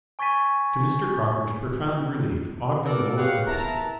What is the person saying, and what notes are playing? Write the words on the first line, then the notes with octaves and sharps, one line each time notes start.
To Mr. Crocker's profound relief Ogden lowered the pistol.
G#5 C#6 G#6 A6 B6 D#7
B3 A4 A#4 D5
G4 G#4 B4 C#5 F5 F#5
B3 E4 A#4 A5 A#5